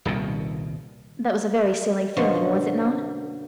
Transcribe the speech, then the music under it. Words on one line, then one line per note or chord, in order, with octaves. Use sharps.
That was a very silly feeling, was it not?
D#1 C2 B2 D#3
F#2 B2 D3 F3 F#3